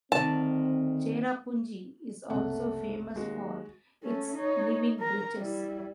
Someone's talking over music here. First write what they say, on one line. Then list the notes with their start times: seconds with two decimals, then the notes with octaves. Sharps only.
Cherrapunji is also famous for its living bridges.
0.12 D2 D#3 C4 A5
2.30 F#1 C2 A3 F#5
3.16 D#2 G#3 F#4
4.04 A3 C#4
4.35 D#4 C#5
4.99 A#4 A#5
5.37 G3 E4